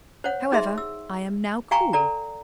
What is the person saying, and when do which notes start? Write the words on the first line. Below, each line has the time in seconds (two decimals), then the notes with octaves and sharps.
However, I am now cool.
0.24 C5 C#5 F#5
0.52 D#4 G#4 E5 C6
0.78 E6
1.71 F5 G5 G#5 A#5 C#6
1.93 A4 D5 A#5